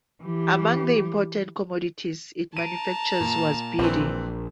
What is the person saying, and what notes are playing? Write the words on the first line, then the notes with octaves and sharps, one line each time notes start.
Among the important commodities it manufactured was beedi.
E3 G4
A5 A#5 D7 D#7
A#2
A#1 E3 C4